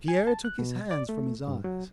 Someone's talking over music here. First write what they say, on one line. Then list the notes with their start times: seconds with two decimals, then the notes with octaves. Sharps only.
Pierre took his hands from his eyes.
0.08 G#5
0.27 A5
0.45 F#6
0.59 B2
0.91 D5
1.09 A3
1.48 G2
1.64 F#3